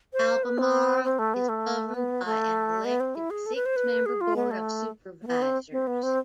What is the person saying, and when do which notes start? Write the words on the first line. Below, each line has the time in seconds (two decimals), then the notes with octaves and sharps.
Albemarle is governed by an elected six-member Board of Supervisors.
0.13 C5
0.43 B4
0.58 C4
1.04 C4
1.19 A3
1.34 B3
1.49 A3
1.94 B3
2.25 A3
2.85 B3
3.00 C4
3.15 E4
3.30 G#4
3.46 A4
3.55 B4
3.66 C5
3.76 B4
4.06 G#4
4.21 F4
4.36 B3
4.51 A3
5.22 A3
5.27 B3
5.42 C4
5.72 C4
5.87 B3
6.03 C4